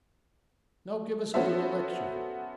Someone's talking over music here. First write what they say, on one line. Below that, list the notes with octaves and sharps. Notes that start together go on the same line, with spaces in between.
"Now give us a little lecture."
B3 C#4 F#4 A4 C5 E5